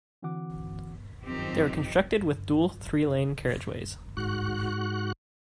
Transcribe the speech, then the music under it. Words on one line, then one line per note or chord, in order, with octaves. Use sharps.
They were constructed with dual three-lane carriageways.
D3 E3 C4 F#4 F#5 D6
F#2 D#3 F3 C4 D#4 G4
G#2 F#4 F#6